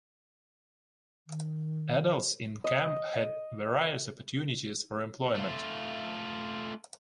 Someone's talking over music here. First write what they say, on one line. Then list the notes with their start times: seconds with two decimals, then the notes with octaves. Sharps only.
Adults in camp had various opportunities for employment.
1.27 D#3
2.64 D#5
5.35 A3 F4